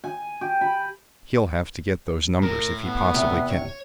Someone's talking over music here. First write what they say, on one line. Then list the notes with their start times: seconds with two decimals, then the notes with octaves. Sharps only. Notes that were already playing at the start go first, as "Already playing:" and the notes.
He'll have to get those numbers if he possibly can.
0.04 G#5
0.41 G4
0.61 B5
2.42 A2 A#4
2.84 B3
3.14 E2 C3
3.50 C#5